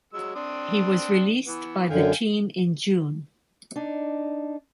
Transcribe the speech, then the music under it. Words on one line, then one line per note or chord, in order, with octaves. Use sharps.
He was released by the team in June.
F#3 G#3 E6
C4 D4 D#6
E3 B3
F#2 D3 F5 G5 G#5
D4 D#4